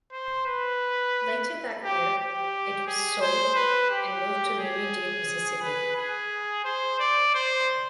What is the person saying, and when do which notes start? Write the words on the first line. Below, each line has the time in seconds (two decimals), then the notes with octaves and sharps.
Later that year, it was sold and moved to Meridian, Mississippi.
0.12 C5
0.46 B4
1.84 G4
2.18 G4
2.87 G#4
3.21 C5
3.55 B4
3.90 G4
4.59 G#4
5.62 B4
5.96 G#4
6.65 C5
7.00 D5
7.34 C5